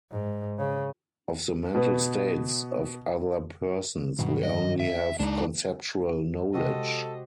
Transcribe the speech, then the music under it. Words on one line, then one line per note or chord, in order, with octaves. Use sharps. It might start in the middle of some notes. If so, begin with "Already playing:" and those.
Of the mental states of other persons we only have conceptual knowledge.
G#2
C#3
B2 B3
G2 B2 D#3 F#3
D#5
E5
C#2 G#3 A#3 D4 D#4
C3 G#3 F#4 G4 A4 C5 D#5